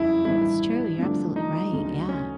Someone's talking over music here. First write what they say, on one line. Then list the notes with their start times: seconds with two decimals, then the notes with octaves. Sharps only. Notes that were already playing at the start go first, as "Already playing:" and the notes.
That's true, you're absolutely right, yeah.
Already playing: F#1 F2 C#3 G3 E4
0.25 A1 G2 D#3 E4
0.99 G2 D3 F3 A3 D4
1.36 D#4
1.73 D2 C#3 F#3
2.09 C#4